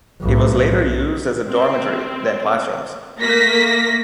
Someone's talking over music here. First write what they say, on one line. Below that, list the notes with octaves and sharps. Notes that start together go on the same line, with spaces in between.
It was later used as a dormitory, then classrooms.
B1 A2
C4
A3 A#3 A#6 B6